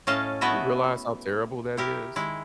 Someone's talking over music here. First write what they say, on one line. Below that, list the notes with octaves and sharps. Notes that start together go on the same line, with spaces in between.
You realize how terrible that is?
A2 A3 C#4 D#5 F5 A5
A3 B3 E4 F#4 D#5 E5
E4 G4 A#4
D#3 G#3 E4